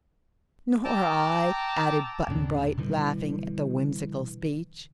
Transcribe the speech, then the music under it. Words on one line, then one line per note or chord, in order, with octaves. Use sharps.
"Nor I," added Button-Bright, laughing at the whimsical speech.
G5 A5 A#5 D6 E6
D#2 A2 C#3 D4
B2 D3 E3 G3